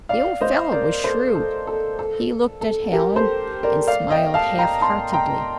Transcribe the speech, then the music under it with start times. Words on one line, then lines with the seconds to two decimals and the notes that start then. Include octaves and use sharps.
The old fellow was shrewd--he looked at Hallen and smiled half-heartedly.
0.09 D5 F5
0.41 C5 D#5
0.72 A#4 D5
1.04 A4 C5
1.35 A4
1.67 A4
1.99 A4
2.61 A4
2.92 G4 A#4
3.16 A4 C5
3.63 A#4 D5
3.88 D5 F5
4.10 D#5 G5
4.34 F5 A5
4.58 G5 A#5
4.81 A5 C6
5.13 G5 A#5